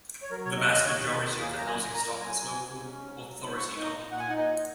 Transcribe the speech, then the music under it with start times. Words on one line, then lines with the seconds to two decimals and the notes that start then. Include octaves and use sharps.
The vast majority of the housing stock is local authority owned.
0.22 C#5
0.30 F#3 A#4
0.45 C#5
0.48 D#2
0.58 D#5
0.67 D#2
0.72 D#5
0.85 D#2 C#5
1.04 D#3
1.12 G#4
1.21 D#2
1.39 A#3 G#4
1.57 F#2 A#5
1.67 G#5
1.75 A#3
1.94 A#3 A#5
2.12 F#3
2.21 G#5
2.30 F#3
2.49 F#3
2.67 G#2
2.84 C#4
3.02 G#2
3.21 F#3
3.38 G#2
3.56 A#2 C#6
3.75 D#4
3.84 A#5
3.93 A#2
4.10 A#2 F#5
4.20 G#5
4.29 D#4 F#5
4.38 D#5
4.47 A#2